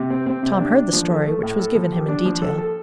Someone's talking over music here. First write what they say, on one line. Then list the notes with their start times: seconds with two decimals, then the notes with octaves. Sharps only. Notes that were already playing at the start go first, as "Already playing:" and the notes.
Tom heard the story, which was given him in detail.
Already playing: C3
0.10 C4
0.26 C4
0.43 C3
0.59 D4
0.76 D4
0.93 F3
1.10 A4
1.26 A3
1.43 A2
1.59 A4
1.75 F3
1.92 G4
2.08 D4
2.25 F3
2.42 A4
2.58 A4